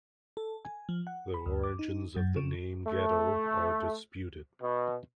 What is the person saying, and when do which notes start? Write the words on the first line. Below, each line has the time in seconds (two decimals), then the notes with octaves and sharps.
The origins of the name "ghetto" are disputed.
0.37 A4
0.65 G#5
0.89 F3
1.07 F#5
1.34 B5
1.46 D2
1.64 D6
1.79 D#4
2.16 F#2
2.36 C#3
2.87 A3
4.62 B2